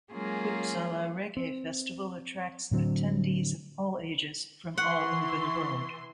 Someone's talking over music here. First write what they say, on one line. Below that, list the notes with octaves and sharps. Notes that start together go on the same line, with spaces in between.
Uppsala Reggae Festival attracts attendees of all ages from all over the world.
F#3 G#3 A#3 C#4 F4 G#4
C4
A2 D3 F#3 C4
E3 F#5 C6 C#6